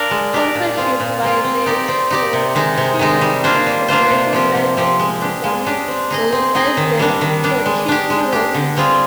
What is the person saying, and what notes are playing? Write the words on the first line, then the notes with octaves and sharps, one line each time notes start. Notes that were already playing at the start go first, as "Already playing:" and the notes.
Sponsorship by the Shochiku Corporation led to it becoming known as the Shochiku Robins.
Already playing: D4 F4 A#4 D5
G#3
D4 G4 A#4 D5
A#2
G#3 C4 F4
A#2
G#3 C4 F4
C4
D#4 G4 D5
C4
D#4 G4 D5
C3
D#3 G#3 D#4
C3
D#3 G#3 D#4
G3
A#3 D4 F4 C5
G3
A#3 D4 F4 C5
C3
F3 C4 G4
C3
F3 C4 G4
G#3
D4 G4
G#3
D4 G4
C4
D#4 G#4 D#5
C4
D#4 G#4 D#5
D#3
G3 D4
D#3
G3 D4
G#3
D4 G4
G#3
D4 G4
D3
G3 C4 F4 G#4